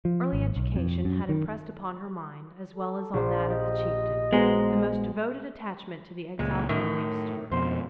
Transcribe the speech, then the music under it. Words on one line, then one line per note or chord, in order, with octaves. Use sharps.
Early education had impressed upon her mind, as well as on that of the Chieftain, the most devoted attachment to the exiled family of Stuart.
F3
G#1
B1
F2
F#2
D#3
A4
A#1 C5 D5
G4 D#5
G#3 B3 F#4 A#4 C5
C#2 A#2 G#3
F#2 A2 D#3
F2 B2 C5